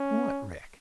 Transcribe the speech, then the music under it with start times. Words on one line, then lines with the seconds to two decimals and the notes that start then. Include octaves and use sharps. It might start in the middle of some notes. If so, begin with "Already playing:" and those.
"What wreck?"
Already playing: C#4